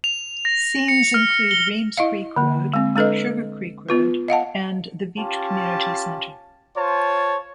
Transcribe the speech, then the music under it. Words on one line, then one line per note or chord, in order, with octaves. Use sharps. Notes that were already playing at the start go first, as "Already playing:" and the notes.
Scenes include Reems Creek Road, Sugar Creek Road and the Beech Community Center.
F7
A#6
C#7
F6
G7
E4 D#5 F5
D3 A#3
G#3 C4
G#3 D4 A4 B4 D#5
B3 F4 B4
D#5 F5 F#5 A5
C#4 F4 G4 A5
F4 C5 C#5 A5